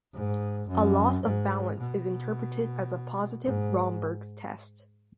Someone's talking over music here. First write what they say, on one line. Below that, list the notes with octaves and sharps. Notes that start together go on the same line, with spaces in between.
A loss of balance is interpreted as a positive Romberg's test.
G#2
F#2
G#2
B2
G#2